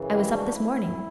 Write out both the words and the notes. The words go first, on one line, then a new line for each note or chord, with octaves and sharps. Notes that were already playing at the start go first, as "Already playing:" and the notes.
"I was up this morning."
Already playing: F#2 C#3 E3
E4 G4
D4 F#4
E4